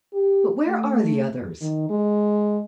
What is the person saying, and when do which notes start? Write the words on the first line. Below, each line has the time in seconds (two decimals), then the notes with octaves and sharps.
But where are the others?
0.13 G4
0.67 A3
1.61 D#3
1.89 G#3